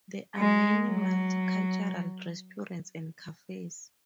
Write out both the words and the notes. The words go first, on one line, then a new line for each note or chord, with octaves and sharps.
There are many multicultural restaurants and cafes.
G#3
F#3